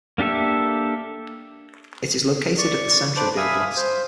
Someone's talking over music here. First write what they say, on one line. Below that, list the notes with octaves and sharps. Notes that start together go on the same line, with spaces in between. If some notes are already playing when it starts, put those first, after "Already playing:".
It is located in the center of the oblast.
A#3 D4 G4 A4 E5
D5 C#6
D4 B4 C5 D6
E5 F5 G#5 B5 D#6
C5